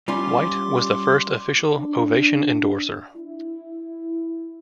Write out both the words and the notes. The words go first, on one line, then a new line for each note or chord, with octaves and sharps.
White was the first official Ovation endorser.
G3 C#4 F4 C6 D6
D4
E4